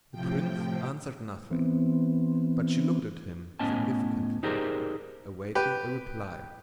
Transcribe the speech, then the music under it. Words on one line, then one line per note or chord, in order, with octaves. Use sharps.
The prince answered nothing, but she looked at him significantly, awaiting a reply.
A2 C3 F3 G5
E3 B3 C4
A2 B3 C#4 D#5 G#5 A5
D#4 G4 G#4 A#4 C5 D5
G4 B4